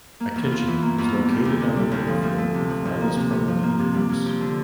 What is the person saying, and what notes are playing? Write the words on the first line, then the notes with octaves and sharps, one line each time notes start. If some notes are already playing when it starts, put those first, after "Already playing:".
A kitchen is located on the lower floor farthest from the main house.
A#3
E2
F4
E3
A#3
E2
G3
D2
D2
C3
G3
D2
F3
D2
A3
C3
F3
D2
A#3
C3
C3
F3
A#3
C3
G3
F2
F2
D3